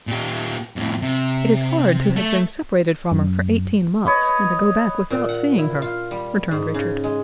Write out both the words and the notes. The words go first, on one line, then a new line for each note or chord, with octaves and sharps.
"It is hard to have been separated from her for eighteen months, and to go back without seeing her," returned Richard.
A#2 G4
F2 A2
C3
A3
F#2
B4 C#5 D#5
A#2
F#5
E4
F4
G3
G#2
C#3
G#3